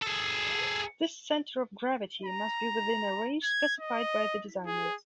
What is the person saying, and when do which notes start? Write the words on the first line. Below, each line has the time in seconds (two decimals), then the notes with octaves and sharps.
This center of gravity must be within a range specified by the designers.
0.02 G#4 A4
2.25 A#5
3.43 G#6
3.80 D#5
4.67 G#4